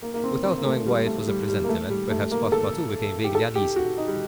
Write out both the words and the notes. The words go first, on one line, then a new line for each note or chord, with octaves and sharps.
Without knowing why it was a presentiment, perhaps Passepartout became vaguely uneasy.
A#3
A#3
C4
C4
A#3
A3
G3
A3
G3
G3
A#3
A3
G3
A3
A#3
A4
G4
A4
G4
F#4
D#4
G3